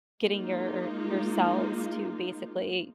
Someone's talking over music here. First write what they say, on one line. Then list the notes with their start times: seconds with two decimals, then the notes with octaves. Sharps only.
getting your your cells to basically
0.22 G#3 A#3 D#4 F4